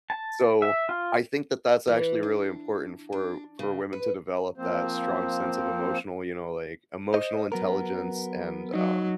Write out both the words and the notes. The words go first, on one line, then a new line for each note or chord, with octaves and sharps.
So, I think that that's actually really important for for women to develop that strong sense of emotional you know, like emotional intelligence, and, um
A5
E5
F4
E3
D4
D4
C#3
B4
F3 A#3 C4 C5
C5 D#5
F#3 B3 A#4
F#3 D#4